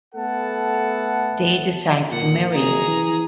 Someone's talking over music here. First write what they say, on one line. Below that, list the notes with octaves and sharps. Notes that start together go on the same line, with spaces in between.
They decide to marry.
A3 B3 A4 F#5 A5
A#2 F#5
F#1 G#4 A#5
E3